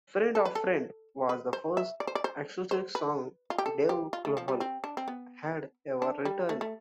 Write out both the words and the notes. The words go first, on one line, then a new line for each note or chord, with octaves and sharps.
"Friend of a Friend" was the first acoustic song Dave Grohl had ever written.
A4
B4
A4
B4
C5
E5
D5
C5
D5
C5
C5
B4
F4
G4
A4
G4
F4
A3
F3
G3
C4
D4
C4
B3
D4
G3
A3
A3